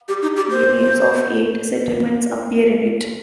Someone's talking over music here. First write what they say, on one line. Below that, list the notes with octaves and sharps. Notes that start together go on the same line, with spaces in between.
The names of eight settlements appear in it.
G4
D#4
G4
C5